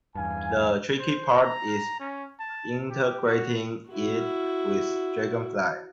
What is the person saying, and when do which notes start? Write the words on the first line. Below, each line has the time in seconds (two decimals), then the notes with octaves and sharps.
The tricky part is integrating it with Dragonfly.
0.15 E2 G2 F5 G#5
0.99 C5
1.38 A#5
1.99 C#4
2.39 A5
2.90 G4
3.26 F#4
3.89 E4 F#4